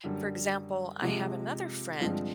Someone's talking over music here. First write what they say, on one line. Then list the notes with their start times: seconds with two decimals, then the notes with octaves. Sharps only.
For example, I have another friend
0.04 F#2 D3 G3
1.02 C3 F3 G#3
2.00 G2 D3 F3 G#3 C4